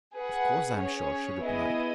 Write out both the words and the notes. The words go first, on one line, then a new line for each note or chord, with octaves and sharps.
"Of course I'm sure!" she replied.
G#4 B4 F#5
C#4 G#4 C#5
B3 E4 G#4 D#5